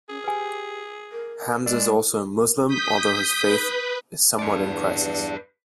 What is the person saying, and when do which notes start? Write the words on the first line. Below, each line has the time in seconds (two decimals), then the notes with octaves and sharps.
Hamza is also a Muslim, although his faith is somewhat in crisis.
0.09 C#4 G#4
0.24 G4 B4 G#5
1.12 A#4
1.66 G#3 D4 A#4 D#5
2.67 D#6 G6 B6
3.44 B4
4.39 E2 G2 D4 B4 D5